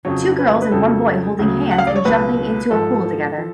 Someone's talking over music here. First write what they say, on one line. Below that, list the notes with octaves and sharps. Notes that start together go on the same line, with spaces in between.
Two girls and one boy holding hands and jumping into a pool together.
F2 C#3 F#3 C#5
B4
B4
F2 C#3 F#3 A4
D2 C#3 F#3
F#5
F5
D5
C#5
C#2 B2 F#3 B4
G#2 F3 A4
F3